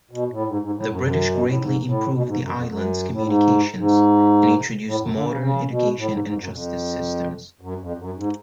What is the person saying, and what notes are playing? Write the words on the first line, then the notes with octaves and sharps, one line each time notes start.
The British greatly improved the islands' communications, and introduced modern education and justice systems.
B2
A2
G#2
G#2
A2
F#2
F#2
B2
A2
G#2
A2
B2
G#2
F#2
F2
F#2
A2
G#2
G#2
A2
F#2
D3
C#3
C#3
B2
A2
G#2
G#2
F2
F#2
F2
F#2
F2
F#2
G#2